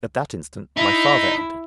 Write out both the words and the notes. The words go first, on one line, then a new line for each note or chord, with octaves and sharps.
At that instant my father entered.
D#4 E4 B6